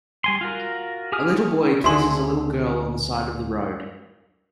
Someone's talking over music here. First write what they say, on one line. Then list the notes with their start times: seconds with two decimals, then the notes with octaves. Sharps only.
A little boy kisses a little girl on the side of the road.
0.24 G3 G#5 C6
0.41 F4 F#4 A#4
1.12 G4 G#4 G#5 D#6 F6
1.84 D2 D3 D4 F#4 G#4 E5 C6